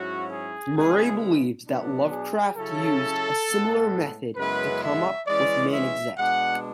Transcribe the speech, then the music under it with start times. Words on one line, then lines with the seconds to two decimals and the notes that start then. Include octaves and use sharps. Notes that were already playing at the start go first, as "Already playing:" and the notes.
Murray believes that Lovecraft used a similar method to come up with "Manuxet".
Already playing: G#2 F#3 C#4 E4 F#4
0.31 G#4
0.75 C#3 G#3 B3 E4 G#4
1.67 B2 F#3 B3 D4
2.12 G#4
2.56 C#3 F#3 C#4 E4 A4
3.47 A2 G#3 B3
4.36 F#2 C#3 G#3 B3 E4 B4
4.82 E5
5.26 E3 G#3 C#4 E4 D5
5.72 E5
6.17 B2 G#3 D4 F#5